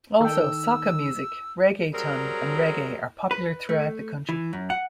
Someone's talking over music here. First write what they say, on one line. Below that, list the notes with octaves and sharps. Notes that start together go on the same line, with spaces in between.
Also, soca music, reggaeton and reggae are popular throughout the country.
D#3 A4 G5 E6
F#3 G3 C4 G#4 A#4
B4
A3
E3
F#2
F#5